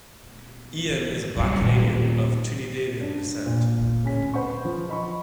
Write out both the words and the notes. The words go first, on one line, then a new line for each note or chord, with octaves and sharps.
Ien is a Black Canadian of Trinidadian descent.
D#3
F#1 F#3 G3 D#4
D#1 A#2 E3
D4
A#2
D1 C#4 G#5 B6
B4 C5 F#5 B5 C#6
F3
D#5 B5 C#6